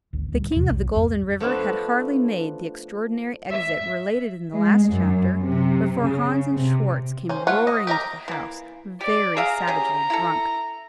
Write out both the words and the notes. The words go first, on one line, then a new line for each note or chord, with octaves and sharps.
The King of the Golden River had hardly made the extraordinary exit related in the last chapter, before Hans and Schwartz came roaring into the house, very savagely drunk.
G#1 D2
D1 C#2 G3
E2 G#2 C3 F3
B1
G#1 F2
F3 A3 B3 D4
E5
G#3
F#2
C3
C#3
C3
C#4 C5
A3 F4 C#5 F#5
D#5
G4 A#4 D#5 A#5
E3 A#3
G4 D5
G#4 E5 F5 A#5
C#4 G4 G#4
E4 A4